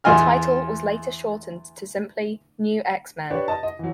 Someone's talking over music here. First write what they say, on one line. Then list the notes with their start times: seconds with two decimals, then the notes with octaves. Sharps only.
The title was later shortened to simply "New X-Men".
0.04 E2 F4 D#5 G#5 F6
3.30 D4 G4 B4 C#5
3.48 D#5 A5
3.63 D#5
3.79 E3 F#3